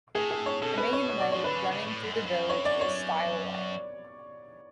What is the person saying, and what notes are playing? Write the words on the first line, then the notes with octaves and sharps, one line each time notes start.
The main road running through the village is Stile Way.
A2 G#4
G#4
C#5
B2 A4
B4
C#5
C#5
D5
F3 C#5
D3 B4
C#3
C#3
A2
F#2
G#2
F#2
C#5
D5
C#5